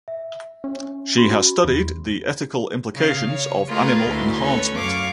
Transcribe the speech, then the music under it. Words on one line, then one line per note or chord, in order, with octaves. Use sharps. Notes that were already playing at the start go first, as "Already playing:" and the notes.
She has studied the ethical implications of animal enhancement.
E5
C#4
F#4 B5 C6
E2
C#3 F5
C#5
A3 F4 G#4 A#4 B4 D#5
D2 E4 F#4 C6
C#4 A4 B4 C#5
F#2 F5 C#6 D6